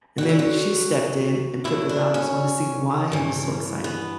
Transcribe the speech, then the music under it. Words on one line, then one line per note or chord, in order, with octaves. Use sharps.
and then she stepped in and put the goggles on to see why he was so excited,
D2 D3 F#3 F#4
E4
F#4
G2 D3 F#3 E4
D4
C#4
G2 E3
B3